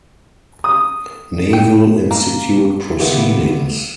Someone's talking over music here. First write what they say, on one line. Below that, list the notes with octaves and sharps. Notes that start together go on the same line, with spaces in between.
Naval Institute "Proceedings".
D#6
G5
A#3
C#2 G2 D#3 G#3 A3 B3